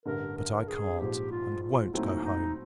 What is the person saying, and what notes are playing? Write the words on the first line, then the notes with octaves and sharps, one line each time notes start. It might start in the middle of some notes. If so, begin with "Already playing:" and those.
But I can't, and won't, go home.
A1 G2 D3 A#4
A#4
G#4
A#1 G#2 F3 G4
F4
F4
A#2 F#3 A3 C4 D#4 E4
D#4